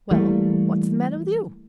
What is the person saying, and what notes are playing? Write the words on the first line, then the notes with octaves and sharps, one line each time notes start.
"Well, what's the matter with you?"
E3 G3 A3 A#3